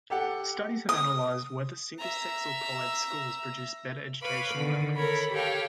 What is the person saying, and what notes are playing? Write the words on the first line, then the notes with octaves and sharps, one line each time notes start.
Studies have analyzed whether single-sex or co-ed schools produce better educational outcomes.
G4 A4 F#5
D#6
E5 A#5
B4 C#5 F5 B5 D6
D3 D#3
A4 A#4 C#5 B5
G4 A4 C#5 F5 G5